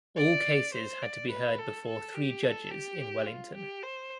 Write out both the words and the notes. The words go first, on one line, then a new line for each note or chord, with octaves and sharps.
All cases had to be heard before three judges in Wellington.
D5
C5
D5
B4
A4
A4
G4
A4
G4
F4
G4
C5